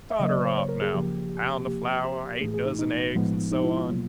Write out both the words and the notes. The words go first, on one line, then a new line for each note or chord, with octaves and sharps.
Start her off, now--pound of flour, eight dozen eggs, and so on.
E5
C#3 F#3 A#3 D#5
D5
C5
C#5
A#4
G#4
C#3 F3 A#3 G4
C3 F3 A#3 G4
G4
A2 E3 A3 G#4
G#4
D#4
D#4
A2 F3 G#3 B3
D#4
E4
F4
B2 F#3 A#3